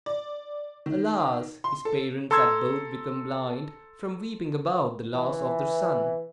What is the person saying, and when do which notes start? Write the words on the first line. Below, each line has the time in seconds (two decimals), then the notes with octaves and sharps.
Alas! his parents had both become blind from weeping about the loss of their son.
0.06 D5
0.86 D#3
1.64 C6
1.85 A4
2.31 A4 A#5 C6 E6 G#6
5.14 E3